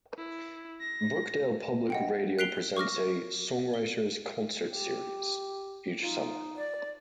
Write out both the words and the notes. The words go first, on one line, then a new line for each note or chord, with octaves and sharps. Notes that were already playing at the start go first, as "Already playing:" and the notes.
Brookdale Public Radio presents a "Songwriters Concert Series" each summer.
E4
A#6
D#5 F#5 G5
F#6 B6 C7 D7 F7 G7
C#6 D6 F6 A#6
G7
G4
D#4 F4
D5